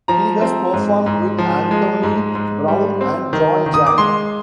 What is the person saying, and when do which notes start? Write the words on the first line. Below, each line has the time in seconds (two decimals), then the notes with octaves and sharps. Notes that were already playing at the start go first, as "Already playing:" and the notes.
He has performed with Anthony Brown and Jon Jang.
0.08 F3 A#5
0.41 C4
0.73 G#2
1.06 G#2
1.38 F3
1.71 G#3
2.03 G#2
2.35 G#2
2.68 G3
3.01 C4
3.33 D#3
3.66 D#3
3.74 D#6
3.87 D6
3.98 G#3 C6